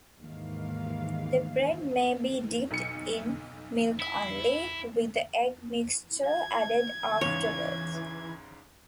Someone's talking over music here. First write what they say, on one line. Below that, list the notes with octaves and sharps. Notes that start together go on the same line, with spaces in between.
The bread may be dipped in milk only, with the egg mixture added afterwards.
D#2 G#2 D#3 E3 F5
B1 C#7
E4
G#6
E2 G#2 C#3 E3 C#5